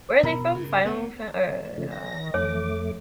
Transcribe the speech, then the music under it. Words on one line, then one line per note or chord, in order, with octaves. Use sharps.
where are they from? Final Fa or um,
B2 A#4 A#5 B5
G2 C#3
D2 A3 B3 B4 C#5 F#5
C#3 F3 A3
A#6
F2 A3 C#5 D6